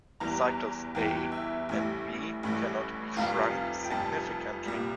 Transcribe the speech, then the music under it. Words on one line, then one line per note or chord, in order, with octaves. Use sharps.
Cycles "a" and "b" cannot be shrunk significantly.
E2 E3 G3 A#5
E2 E3 G3 G5
E5
A1 A2 E3 G3
A1 A2 E3 G3
F1 F2 C3 G3 F5
G5
F1 F2 C3 G3 A5
C2 A#2 G3